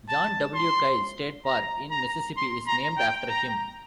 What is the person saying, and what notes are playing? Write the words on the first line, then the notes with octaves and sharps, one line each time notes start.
John W. Kyle State Park, in Mississippi, is named after him.
A5
C6
A#5
A#5
C6
A#5
G5
A#5